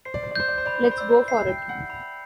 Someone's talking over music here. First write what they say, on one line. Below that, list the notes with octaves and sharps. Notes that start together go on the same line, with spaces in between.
Let's go for it.
C5 C7
D5
C5
D5
C5 G6
D5
C5
D5 B5
C5
D5
C5
D5 E6
C5
E5 C7
G5
G6
F#5
B5